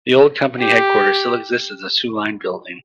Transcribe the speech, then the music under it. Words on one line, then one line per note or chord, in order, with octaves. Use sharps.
The old company headquarters still exist as the Soo Line Building.
G4